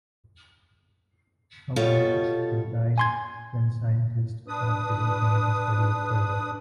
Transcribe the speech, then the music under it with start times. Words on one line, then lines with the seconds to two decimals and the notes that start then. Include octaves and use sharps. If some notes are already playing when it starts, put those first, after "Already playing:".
However, it died when scientists cracked it open to study it further.
1.76 B2 G3 F4 A4 C#5
2.98 G#5 C6 G#6
4.48 D4 B4 D#6